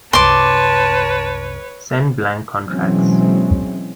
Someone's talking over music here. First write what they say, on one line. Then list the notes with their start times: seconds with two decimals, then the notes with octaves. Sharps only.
Send blank contracts.
0.13 C2 F#2 B4 C#5 A5 C6 D6
2.69 B2 E3 F#3 G#3 C4 C#4